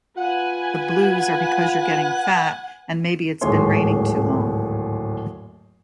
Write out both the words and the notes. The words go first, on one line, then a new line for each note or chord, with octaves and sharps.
The blues are because you're getting fat, and maybe it's been raining too long.
F4 B4 F#5 G#5
D1 D#2 G#2 G#4 C#5 C6